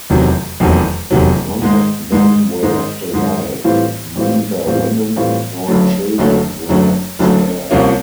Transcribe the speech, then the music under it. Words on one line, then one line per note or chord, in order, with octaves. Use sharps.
None of them were left alive; neither women nor children were spared.
F1 E2 C3 D#3 F#3
F1 E2 C3 D#3 F#3
F1 E2 C3 D#3 F#3
G#2 D#3 G#3
G#2 D#3 G#3
G#2 D#3 G#3
G#2 D#3 G#3
A2 E3 G3 C4 F4
A2 E3 G3 C4 F4
A2 E3 G3 C4 F4
A2 E3 G3 C4 F4
F#1 F#2 D3 F#3 A3
F#1 F#2 D3 F#3 A3
F#1 F#2 D3 F#3 A3
F#1 F#2 D3 F#3 A3
C2 C3 F3 A#3 C#4